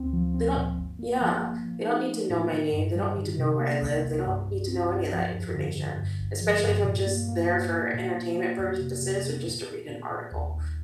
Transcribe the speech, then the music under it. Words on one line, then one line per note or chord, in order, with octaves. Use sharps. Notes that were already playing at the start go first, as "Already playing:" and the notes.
they don't Yeah. They don't need to know my name; they don't need to know where I live; they don't need to know any of that information, especially if I'm just there for entertainment purposes or just to read an article,
Already playing: D2 C4
F3
C4
A#2
G1
A#3
F3
A#3
F3
D#4
A3
A2
D#3
G2
G3
D#3
C3
A#3
C2
C2
G2
G2
C4
G2
F3
F2
D3
D3
G2
G1
F3
G2
A#2
A#3
A#3
A#3
A#3
A#2
A#2
A#3
F2
C3
C3
C3
A#2
A#2
A#2
A#2
D#2
D#2